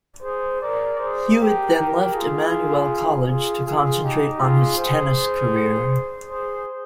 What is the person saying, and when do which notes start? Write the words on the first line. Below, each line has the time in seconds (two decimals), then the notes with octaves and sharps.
Hewitt then left Immanuel College to concentrate on his tennis career.
0.22 G#4 C5
0.60 A#4 D5
0.99 G#4 C5
1.36 G4 A#4
1.74 G4 A#4
2.12 F4 G#4
3.26 F4 G#4
3.64 F4 G#4
4.01 D#4 G4
4.39 F4 G#4
4.77 G#4 C5
6.29 G#4 C5